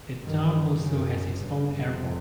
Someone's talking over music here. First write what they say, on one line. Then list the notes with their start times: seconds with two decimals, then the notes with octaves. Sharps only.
The town also has its own airport.
0.22 G2 D#3
0.77 F#2 C#3
1.32 G2 C#3
1.87 F2 C3